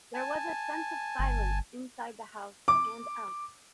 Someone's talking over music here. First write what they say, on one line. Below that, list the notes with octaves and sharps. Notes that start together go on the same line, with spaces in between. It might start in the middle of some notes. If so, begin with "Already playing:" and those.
There was a sense of silence inside the house and out.
G#5 A5
G1
D6